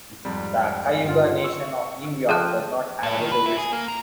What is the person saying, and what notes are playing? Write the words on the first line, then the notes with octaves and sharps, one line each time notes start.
The Cayuga Nation of New York does not have a reservation.
F2 G#2 G3
G2 D3 F4
C#6 E6
F3 G#4 A4 G5 A5 F#6
A2
D#3
B4
E4
G#4
A#3
A#5